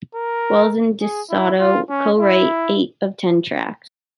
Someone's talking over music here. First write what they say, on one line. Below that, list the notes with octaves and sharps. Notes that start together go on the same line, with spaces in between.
Wells and De Soto co-wrote eight of ten tracks.
A#4
G#4
E4
F4
C#4
E4